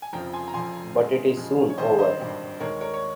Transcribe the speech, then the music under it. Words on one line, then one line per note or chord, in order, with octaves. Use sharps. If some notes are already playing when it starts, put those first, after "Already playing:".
But it is soon over.
G#5
F1 F2 C#3 F3 G5 A#5
G#5 C6
A#5
F1 F2 C#3 F3 G#5 C6
F2 C#3 G#3
F2 C#3 G#3
C#5
G#1 G2 D#3 G3 C5 D#5
C5 D#5
G#1 G2 D#3 G3
D#2 D#3 G#3 A#4 C#5
A#4 C#5
C#5